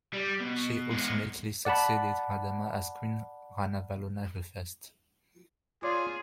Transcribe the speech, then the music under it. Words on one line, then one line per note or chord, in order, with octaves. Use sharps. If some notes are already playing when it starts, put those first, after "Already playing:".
She ultimately succeeded Radama as Queen Ranavalona the First.
G3
B2
G#3 B3
D5 F#5 A5 B5
F4 G#4 C#5 D5 D6